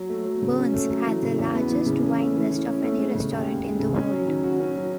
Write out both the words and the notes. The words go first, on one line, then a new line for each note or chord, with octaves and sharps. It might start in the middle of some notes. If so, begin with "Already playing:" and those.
Bern's has the largest wine list of any restaurant in the world.
Already playing: F#3
A3
F#3
C#3
C#4
A3
F#3
E3
C#3
E2
B3
E3
C#3
C#4
A3
E3
E3
C#4
A3
G#3
C#3
D#2
D#2
G#3
C#3
C#4
F#3
D#3
F#4
C#4
F#3